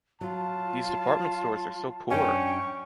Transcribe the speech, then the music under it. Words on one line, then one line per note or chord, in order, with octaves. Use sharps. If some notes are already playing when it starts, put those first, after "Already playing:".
These department stores are so poor!
F#3 F4 A5
F#2 C#4 D4 G5 C#6